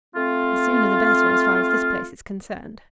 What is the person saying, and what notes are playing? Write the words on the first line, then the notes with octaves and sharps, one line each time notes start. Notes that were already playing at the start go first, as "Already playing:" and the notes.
"The sooner the better as far as this place is concerned."
A3 C4 F4